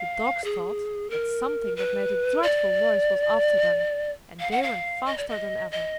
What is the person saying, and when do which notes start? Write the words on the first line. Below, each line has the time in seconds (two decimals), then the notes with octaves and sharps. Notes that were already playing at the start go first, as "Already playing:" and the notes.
The dogs thought that something that made a dreadful noise was after them, and they ran faster than ever.
Already playing: F5
0.44 G#4
1.10 A#4
1.76 B4
2.42 D5
4.39 F5
4.51 F#5
4.62 F5
5.06 D#5
5.17 D5
5.28 D#5
5.71 D#5